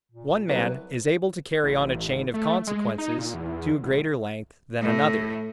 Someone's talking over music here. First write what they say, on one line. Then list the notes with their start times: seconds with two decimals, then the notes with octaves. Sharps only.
One man is able to carry on a chain of consequences to a greater length than another.
0.11 A#2
0.49 C2 F#3 B4
1.64 A1
2.08 G#1
2.34 A3
2.67 G#3
2.98 D#4
3.18 A#2
3.34 E2
3.83 E1
4.81 A2